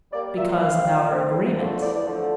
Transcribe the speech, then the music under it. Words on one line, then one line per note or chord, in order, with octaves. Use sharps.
"Because of our agreement."
G3 A#3 D5
A#2 E5
A3 C4 F5
A#2
A3 C4
E2
D3 F3 A3
E2 D5
D3 F3 A3